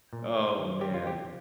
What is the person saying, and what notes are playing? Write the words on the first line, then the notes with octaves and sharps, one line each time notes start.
Oh man.
A#2
A#3
D#3
G3 G4
F4
C4 G4